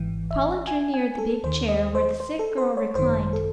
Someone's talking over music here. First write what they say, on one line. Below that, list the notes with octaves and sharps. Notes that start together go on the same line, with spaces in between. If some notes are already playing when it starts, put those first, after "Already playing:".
Paula drew near the big chair where the sick girl re-clined.
Already playing: G#1 G#2 E3
E5
G#5
G#5
A4
D#2 D#3 C5
D#5
C5
C5
A4
C5
C#5
G#1 F#2 D#3 C5
A4